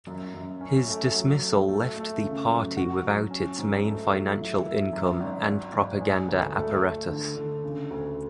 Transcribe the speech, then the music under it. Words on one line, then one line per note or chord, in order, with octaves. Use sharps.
His dismissal left the party without its main financial income and propaganda apparatus.
F#2
F#2
C#4
A3
F#3
A3
A3
A3
C#3
F#3
F#4
F#3
C#4
G#2
A3
F#3
E4
E4
F#2
G#1
F#3
G#2
G#3
D2
A3
A3
D3
D3
C#3
D2